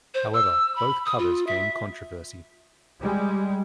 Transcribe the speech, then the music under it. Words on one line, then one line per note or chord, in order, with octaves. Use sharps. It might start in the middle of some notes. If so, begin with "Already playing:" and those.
However, both covers gained controversy.
C5
E6
B5
D#6
F4
E5
G3 G#3